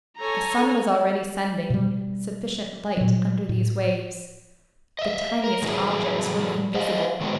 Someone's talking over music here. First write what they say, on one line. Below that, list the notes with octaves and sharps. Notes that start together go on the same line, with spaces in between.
The sun was already sending sufficient light under these waves. The tiniest objects remained visible.
A4 C#5 G#5 A#5
B2 G3
A#2 F#3
A2
D#5 E5
A#4
A2 E3 F#3 G3 E4 G#4
C5 D#5 F5 F#5
D#3 F#3 G#3 B3